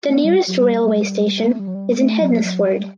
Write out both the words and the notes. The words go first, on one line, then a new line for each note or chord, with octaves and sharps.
The nearest railway station is in Hednesford.
A3
B3
G3
F#3
G3
G3
A3
G3
F#3
G3
A3
F#3
F#3
G3